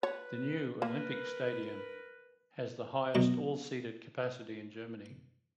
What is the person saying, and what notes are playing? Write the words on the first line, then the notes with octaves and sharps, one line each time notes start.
The new Olympic Stadium has the highest all-seated capacity in Germany.
B4 C#5
A#3 A#4 B4
B2 F#3